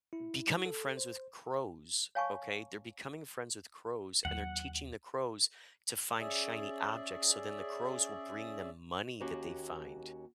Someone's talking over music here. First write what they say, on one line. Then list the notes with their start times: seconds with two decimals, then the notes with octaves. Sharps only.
becoming friends with crows, okay? They're becoming friends with crows, and they're teaching the crows to find shiny objects, so then the crows will bring them money that they find.
0.13 E4
0.66 A4
0.97 C5
2.15 C#5 F5 G#5 A5 C#6
4.25 D#2 F#3 F#5
6.19 C#4 G#4 D5 E5
9.20 D#2 C#4 F#4 G4 F5 F#5